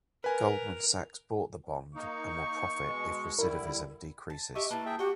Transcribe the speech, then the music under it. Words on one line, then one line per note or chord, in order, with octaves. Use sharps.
Goldman Sachs bought the bond and will profit if recidivism decreases.
A#4 B4 G#5
A#3 D#4 C#6
B2 G#3
D3 G3 E4 A#4
A5
G4 D#5 E5 C#6 D6
A#3 E4 B4 A5
G#4 E5 G5
F#4 G4 F#5 G5